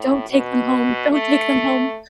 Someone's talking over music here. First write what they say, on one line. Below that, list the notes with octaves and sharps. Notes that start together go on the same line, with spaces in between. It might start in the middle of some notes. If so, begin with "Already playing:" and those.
"Don't take them home, don't take them home."
Already playing: A2
B2
A3